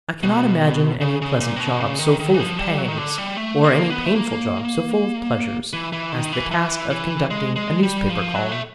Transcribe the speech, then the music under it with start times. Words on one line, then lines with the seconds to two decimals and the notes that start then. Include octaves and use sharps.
I can not imagine any pleasant job so full of pangs, or any painful job so full of pleasures, as the task of conducting a newspaper column.
0.23 B2
1.01 C#3
1.22 C#3
1.41 A#2
1.56 C3
1.60 B2
1.80 C#3
1.99 D#3
2.19 D#3
2.34 E3
2.39 F3
2.59 G3
2.78 F#3
2.88 D#3
2.98 D3
3.18 G3
3.37 A3
3.64 A#3
3.90 B3
4.06 A3
4.15 A#3
5.73 E3
5.92 E3
6.12 D#3
6.33 E3
6.51 E3
6.90 E3
7.30 G#3
7.56 G#3
7.83 G3
8.09 F3
8.35 F#3
8.52 A3